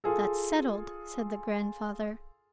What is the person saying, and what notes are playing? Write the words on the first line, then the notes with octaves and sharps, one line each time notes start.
"That's settled," said the grandfather.
F4 G#4 A4